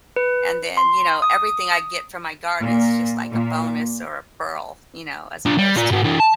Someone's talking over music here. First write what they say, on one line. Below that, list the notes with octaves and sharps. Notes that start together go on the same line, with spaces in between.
and then, you know, everything I get from my garden is just like a bonus or a pearl, you know, as opposed to
B4
C6
D#6
A#2
A#2
D4 F4
G3
F4 D5
G#2 F#4
E3 D4
A5